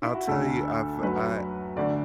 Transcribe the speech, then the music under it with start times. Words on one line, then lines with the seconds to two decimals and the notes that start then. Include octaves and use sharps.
I'll tell you, I've I
0.02 E4
0.14 F#4
0.27 D2 D3 A3 A4
1.02 F#2 F#3 A3 B4
1.76 D2 D3 A3 D5